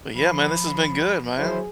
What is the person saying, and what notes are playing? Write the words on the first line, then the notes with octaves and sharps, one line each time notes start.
But, yeah, man, this has been good, man.
F3 B5
F#3 E4 G#4 C5